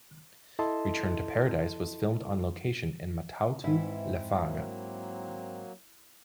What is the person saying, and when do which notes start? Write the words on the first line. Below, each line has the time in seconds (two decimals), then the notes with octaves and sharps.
Return to Paradise was filmed on location in Matautu, Lefaga.
0.59 E4 A4 D#5 A5 C6
3.64 G#2 E3 C4 E4 E5
4.35 F#3 A#3